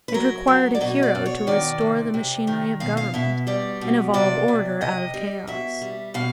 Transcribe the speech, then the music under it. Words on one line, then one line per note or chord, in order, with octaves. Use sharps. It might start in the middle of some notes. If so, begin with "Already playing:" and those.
It required a hero to restore the machinery of government and evolve order out of chaos.
B4
F#3 A#4
F#3
D5
B2 D#5
D5
B2
C#5
D#3 D5
C3
C3
D#3
B2 F5
F5
B2 E5
G3 D5
B2
C3 D5
C3
C3 D#5
G3
B2 E5
G3
B2 F5